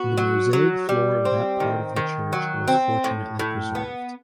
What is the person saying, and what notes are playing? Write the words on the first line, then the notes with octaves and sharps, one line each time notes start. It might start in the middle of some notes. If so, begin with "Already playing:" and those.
The mosaic floor of that part of the church was fortunately preserved.
Already playing: B3 F#4
F#3
F#3
G3
C4
D#3
D#3
F#3
C4
A2
A2
B3